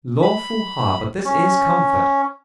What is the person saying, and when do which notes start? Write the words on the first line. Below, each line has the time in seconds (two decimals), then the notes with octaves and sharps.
Lawful heart, but this is comfort.
0.22 B5
1.25 C#4